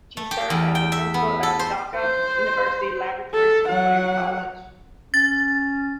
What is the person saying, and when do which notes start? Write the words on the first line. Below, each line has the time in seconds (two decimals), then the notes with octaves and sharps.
She served as the Principal of Dhaka University Laboratory School and College.
0.17 A3
0.31 G4
0.50 E2
0.75 G5
0.92 E5
1.14 B3
1.43 A4
1.59 C5
1.95 C5
3.34 A4
3.69 F#3 F#5
5.14 C#4 A6